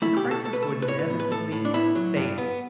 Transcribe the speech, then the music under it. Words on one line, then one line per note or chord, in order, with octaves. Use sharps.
The crisis would inevitably fail.
A3 E4
G4
B2
A4
B2 A4
B4
A3 A4
B4
A2 C#5
B4
B3
B4
A2 A4
A2
D4
B3 E4
F#3
G2
B3